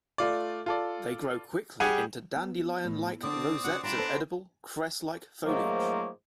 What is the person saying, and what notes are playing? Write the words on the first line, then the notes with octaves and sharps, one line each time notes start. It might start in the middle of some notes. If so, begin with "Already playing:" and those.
They grow quickly into dandelion-like rosettes of edible, cress-like foliage.
A3 F4 D5
F4 A4 D5
G3 G4 G#4 F#5 G#6 D#7
B3
A2
D3 C4 D4 D5 D#6
C#3 F#4 F#5
E3 G3 D4 F4 A#5 C6
B3 A4 B4 C5
G#2 D#3 F3 F#3 A3 A#3